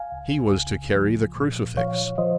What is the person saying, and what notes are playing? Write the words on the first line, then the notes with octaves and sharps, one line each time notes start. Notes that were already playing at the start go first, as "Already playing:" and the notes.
He was to carry the crucifix.
Already playing: F5 G#5
C#2
C#2
F3
A#2
F3 C#5 F5
F3 C5 D#5